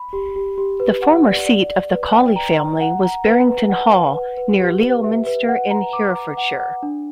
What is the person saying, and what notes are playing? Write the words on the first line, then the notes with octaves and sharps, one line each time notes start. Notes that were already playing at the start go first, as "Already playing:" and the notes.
The former seat of the Cawley family was Berrington Hall near Leominster in Herefordshire.
Already playing: B5
G4
G4
G4
B4
F#5
D5
D5
D5
B4
G5
A#5
A#5
F#5
A#5
B4
B4
F#5
F#5
B4
B4
G4
B4
E5
B4
F#5
A#5
D6
A#5
F#5
F#5
D4